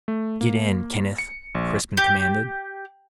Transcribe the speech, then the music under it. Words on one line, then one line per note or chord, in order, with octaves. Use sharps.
"Get in, Kenneth," Crispin commanded.
A3
A#3
C#7
A#1
G4